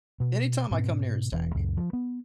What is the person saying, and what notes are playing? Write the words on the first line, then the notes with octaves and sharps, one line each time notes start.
any time I come near his tank,
B2
G#2 B2 C4
E1 E2
C#2 F#2
F3
B3